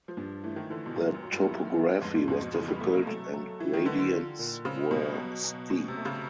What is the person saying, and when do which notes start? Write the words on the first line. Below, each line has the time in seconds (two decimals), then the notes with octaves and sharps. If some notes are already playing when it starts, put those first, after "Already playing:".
The topography was difficult and gradients were steep.
0.08 F3
0.17 G2
0.44 E3 A3
0.56 D#3
0.70 D3 E3
0.86 B2
0.96 A#2 F#3
1.14 F#2
1.23 F#3
1.32 G2
1.49 E4
1.76 B3
2.02 F2 G#2
2.15 G#2
2.28 F2 B2
2.41 B2
2.54 C#3 E3
2.68 G3
2.80 C3 A3
2.93 A#3
3.07 F#3 A3
3.34 F#3
3.60 E3 E4
3.73 D#3
3.86 D3 B3
3.99 D3
4.12 F4
4.39 A#2
4.65 C#3 C4
4.91 B2 G3
5.17 F#3
5.44 F#3
5.70 B2 C#4
5.88 C3
5.97 A3
6.05 C#3